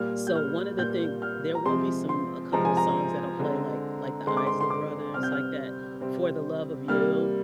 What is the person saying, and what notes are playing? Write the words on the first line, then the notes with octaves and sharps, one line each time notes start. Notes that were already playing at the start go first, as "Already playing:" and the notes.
So, one of the thing there will be some a couple of songs that'll play, like like The Isley Brothers, like, that "For the Love of You."
Already playing: A#2 G3 A#3 F6
G6
F6
A#2 G3 A#3 G6
F6
A#5
C3 F3 G#3 C4 C6
C6
C3 F3 G#3 C4 A#5
G#5
A#5
D3 G#3 C4
D3 G#3 C4 C6
D6
C6
C6
D6
C3 G3 C4 F6
G6
F6
C3 G3 C4
C3 G3 A#3 F6